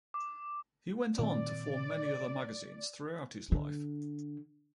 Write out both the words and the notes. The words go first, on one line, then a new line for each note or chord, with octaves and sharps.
He went on to form many other magazines throughout his life.
D6
A#2 D#3 C4 D5
D3